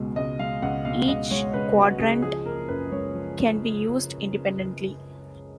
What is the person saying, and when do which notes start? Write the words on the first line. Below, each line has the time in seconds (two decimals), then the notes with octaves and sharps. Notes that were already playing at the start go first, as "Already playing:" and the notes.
Each quadrant can be used independently.
Already playing: C#2 B2 G#3
0.16 C#2 D#5
0.39 G#3 F5
0.62 C#2 F#5
0.85 B2 F5
1.08 C#2 D#5
1.31 G#3 C#5
1.54 C#2 B4
1.77 B2 F#4
2.00 C#2 G#4
2.22 F3 G#4
2.45 F#1 A#4
2.68 F#2 B4
2.92 G#3 C#5
3.15 F3